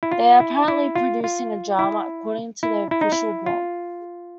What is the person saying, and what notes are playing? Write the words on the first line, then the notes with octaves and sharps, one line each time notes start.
They are apparently producing a drama, according to their official blog.
E4
F4
E4
E4
F4
F4
E4
E4
E4
D#4
E4
F4